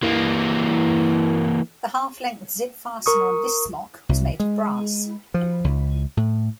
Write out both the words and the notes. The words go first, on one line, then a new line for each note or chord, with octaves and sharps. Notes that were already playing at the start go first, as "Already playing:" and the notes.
The half-length zip fastener on this smock was made of brass.
E3 A#3
A#4 C#6 D#6
C2
G#3
F3
C#2
A2